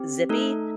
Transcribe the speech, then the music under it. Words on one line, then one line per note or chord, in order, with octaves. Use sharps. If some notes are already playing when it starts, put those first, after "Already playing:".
eh, zippy.
Already playing: C4 G4
A3 D#4 A4